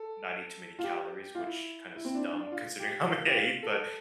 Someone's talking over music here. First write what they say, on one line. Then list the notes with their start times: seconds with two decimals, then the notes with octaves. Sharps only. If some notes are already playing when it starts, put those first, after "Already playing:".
"Not eat too many calories," which kinda is dumb considering how many I eat. But
Already playing: A4
0.79 F4
0.84 G4
1.35 F4
1.39 E4
1.95 E4
2.05 C4
2.14 D4
2.32 D4
2.52 F4
2.79 G4
3.07 F4
3.27 G4
3.35 F4
3.63 A4